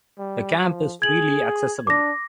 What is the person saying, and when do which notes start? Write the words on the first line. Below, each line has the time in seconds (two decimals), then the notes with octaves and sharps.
The camp is freely accessible.
0.18 G3
0.61 F3
1.02 G#4 G#6 F#7
1.87 D4 D6 A#6